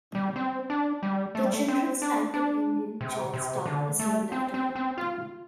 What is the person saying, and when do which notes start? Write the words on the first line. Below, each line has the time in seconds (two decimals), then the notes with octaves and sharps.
The General Stanton Inn in Charlestown is named after him.
0.15 G3
0.36 C4
0.70 D4
1.03 G3
1.35 A3
1.45 G3
1.53 A3
1.68 C4
2.02 D4
2.34 D4
3.01 C3
3.34 C3
3.66 D3
3.99 A3
4.32 C4
4.54 C4
4.75 C4
4.97 F4